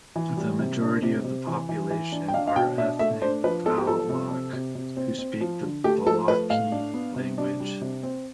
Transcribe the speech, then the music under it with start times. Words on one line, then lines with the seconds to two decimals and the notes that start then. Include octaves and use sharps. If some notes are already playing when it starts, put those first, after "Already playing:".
The majority of the population are ethnic Baloch, who speak the Balochi language.
0.16 E3
0.37 G3
0.59 C3
0.81 D4
1.03 C3
1.24 C3
1.47 E3
1.69 E3
1.90 E3
2.12 D4
2.28 G5
2.34 D4 F5
2.47 F5
2.56 B2 G5
2.78 D4 E5
2.99 A3 E5
3.22 D4 C5
3.44 F3 B4
3.66 B3 A4
3.78 G4
3.87 F3 A4
4.09 C3
4.31 C3
4.53 C3
4.75 C3
4.96 C4
5.19 C4
5.41 F3
5.63 D3
5.84 A3 G4
6.06 F3 A4
6.28 A3 B4
6.50 A2 F5
6.72 D4
6.94 B3
7.16 C3
7.38 D4
7.60 G3
7.81 C3
8.03 C4